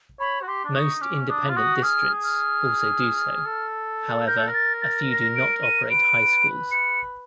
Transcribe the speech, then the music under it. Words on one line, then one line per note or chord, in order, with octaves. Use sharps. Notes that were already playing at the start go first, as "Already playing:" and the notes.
Most independent districts also do so; however, a few do not operate high schools.
C#5 B5
F#4
G4 C6
D4
D#4 C#6
C#4 D6
D4 D#6
F4
F#4 D#6
G#4 F6
F6
A4
A#4 G6
A4
A#4
A6
A6
A#6
D7
D#7
B4 D7
C#7